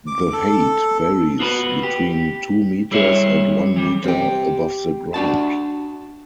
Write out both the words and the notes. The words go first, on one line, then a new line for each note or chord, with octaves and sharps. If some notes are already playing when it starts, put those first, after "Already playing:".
The height varies between two meters and one meter above the ground.
D6
A4
B3 F4 F#4 A#4 B4
G4
G3 E4 G#4 C#5 E5
E3 G3
C4 G4
D4 F#4 A5